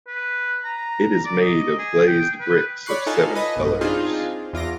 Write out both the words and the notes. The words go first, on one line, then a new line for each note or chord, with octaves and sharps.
It is made of glazed bricks of seven-colors.
B4
A#5
D5
D#5
G#4
G5
B4
C#5 D5 B5 C#6 F#6 C7
D#4 F4 A4 G#5 A5
B4 D#5
B1 G2
C4 D4 D#4 F4 G#4
E2 F4 D6 A#6